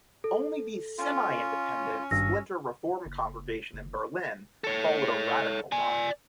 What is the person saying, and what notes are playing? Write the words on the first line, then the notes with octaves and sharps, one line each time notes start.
Only the semi-independent, splinter Reform Congregation in Berlin followed a radical line.
A4
C#4 F4
G#1 G2 E6 A#6
F#1
F#1
A4 C#5
D5 G#5